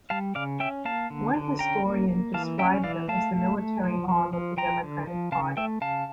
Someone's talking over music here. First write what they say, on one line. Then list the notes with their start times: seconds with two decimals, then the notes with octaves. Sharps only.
One historian described them as the military arm of the Democratic Party.
0.10 G3 F5 A5
0.35 C#3 D5 F5
0.60 C#4 E5 G5
0.85 A#3 F5 A5
1.10 D3
1.35 D3
1.59 C#4 G5 A#5
1.85 A#3
2.09 A#3
2.34 E3 F5 A5
2.59 C#4 E5 G5
2.84 E3 D5 F5
3.08 A3 F5 A5
3.33 A3
3.58 A3
3.83 F3
4.09 F3
4.33 F3
4.57 F3 G5 A#5
4.83 D3
5.07 F3
5.32 C#3 F5 A5
5.57 A3 E5 G5
5.81 C#3 F5 A5